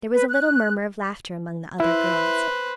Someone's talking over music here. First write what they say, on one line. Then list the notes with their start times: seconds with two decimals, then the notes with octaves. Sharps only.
There was a little murmur of laughter among the other girls.
0.14 B4
0.29 F#6
1.80 E4 B4 C5